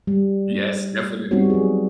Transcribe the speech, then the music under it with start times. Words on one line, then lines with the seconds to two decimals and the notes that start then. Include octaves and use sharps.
Yes, definitely.
0.07 G3
1.31 G3 B3 C4 D#4 F#4 C#5
1.50 F#3 G#4